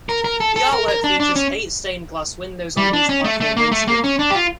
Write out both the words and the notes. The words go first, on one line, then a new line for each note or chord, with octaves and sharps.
The artwork features eight stained glass windows on each platform windscreen.
A#4
A#4
A4
A4
A#4
A#4
D4
D4
C#4
G3
D4
C#4
A3
A3
A#3
A3
A#3
C#4
D4
G4
F4